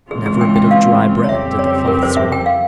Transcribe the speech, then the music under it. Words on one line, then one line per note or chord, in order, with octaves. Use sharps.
But never a bit of dry bread did the cloth serve up.
C#3 E3 G#3 C4 F4 G#4
G#4
G5
G5
F5
C#5
F2 C#3 G3 C4 G4 E5
C#5
A#4
C5
E5
G5
F5